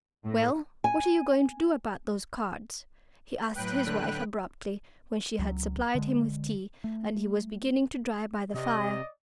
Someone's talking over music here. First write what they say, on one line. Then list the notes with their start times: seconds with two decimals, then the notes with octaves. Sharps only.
"Well, what are you going to do about those cards?" he asked his wife abruptly when she had supplied him with tea, and he was beginning to dry by the fire.
0.25 A2
0.84 G#5
3.56 A2 F#3 B4 G5 F#6
3.87 D3
5.39 C#2 F#3
5.95 D3 G#3
6.84 A3
8.54 C3 D5 D#5